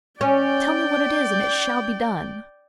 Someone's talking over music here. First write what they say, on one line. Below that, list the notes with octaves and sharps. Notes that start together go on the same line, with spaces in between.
'Tell me what it is, and it shall be done.'
C#4 D5 G5